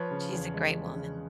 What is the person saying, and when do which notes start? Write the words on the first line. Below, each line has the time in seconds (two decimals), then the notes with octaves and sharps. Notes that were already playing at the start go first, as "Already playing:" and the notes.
She's a great woman.
Already playing: F3 B4 C#5
0.11 C#3
0.33 E2
0.54 G#3
0.75 F3
0.95 C#3